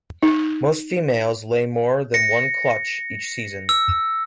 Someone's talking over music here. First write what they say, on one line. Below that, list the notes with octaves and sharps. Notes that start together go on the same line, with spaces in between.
Most females lay more than one clutch each season.
D#4
A#6 C#7
E6